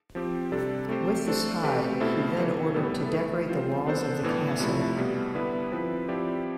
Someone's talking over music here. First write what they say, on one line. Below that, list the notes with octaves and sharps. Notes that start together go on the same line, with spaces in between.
With this hide he then ordered to decorate the walls of the castle.
F3 C4 G4 C5
C3 G3 D4 A4 D5
A3 C4 G4 C5
A3 D4 A4 C5
A3 C4 G4 B4
B2 A3 E4 A4 C5
C3 E3 B3
A2 G3 B3 E4 A4
A3 E4 B4
G3 C4 F4 C5
B3 D4 A4 C5
A2 E3 B3 D4
C3 F3 A3 E4
B2 G3 B3
D3 G3 B3 E4 B4
F3 C4 E4 B4
F3 C4 E4 G4 D5